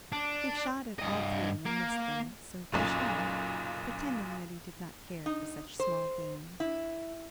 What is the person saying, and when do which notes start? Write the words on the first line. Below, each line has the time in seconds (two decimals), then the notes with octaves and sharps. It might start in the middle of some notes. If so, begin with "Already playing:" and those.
He shot at all three and missed them, so pushed on, pretending that he did not care for such small game.
0.12 D4
0.99 G2 D#5
1.65 A#3
2.72 B1 F#2 A#2 C#3
5.26 D#4
5.80 C5
6.60 E4